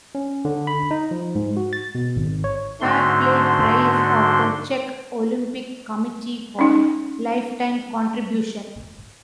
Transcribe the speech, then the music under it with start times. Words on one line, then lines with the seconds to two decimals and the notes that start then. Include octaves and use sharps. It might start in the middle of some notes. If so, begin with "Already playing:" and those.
Fair Play prize of the Czech Olympic Committee for lifetime contribution.
0.15 C#4
0.45 D3
0.67 B5
0.91 D#4
1.11 F3
1.35 G#2
1.57 F#4
1.73 A6
1.95 B2
2.16 G#1
2.44 C#5
2.81 G#2 D3 A3 D4 F#4 C6
6.59 C#4 D#4